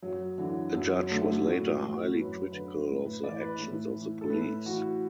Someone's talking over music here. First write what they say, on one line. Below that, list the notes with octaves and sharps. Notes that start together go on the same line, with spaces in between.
A judge was later highly critical of the actions of the police.
F#2 F#3
D3 E3
F#2 F#3
D3 A3
A2 F#4
E3 F#4
F#2 B4
D3 B4
A2
B4
E3 D5
B4
A2
E3
A4
A2 B4
E3 F#4